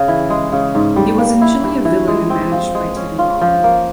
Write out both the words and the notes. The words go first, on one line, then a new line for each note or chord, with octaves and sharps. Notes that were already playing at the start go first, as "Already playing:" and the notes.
He was initially a villain and managed by Teddy Long.
Already playing: C#3 C#4
E3
G#3
C#3
G#2
G3
A#3
E4
G2
E3
G#3
C4
F3
G#3
C#4
F4
F3
A#3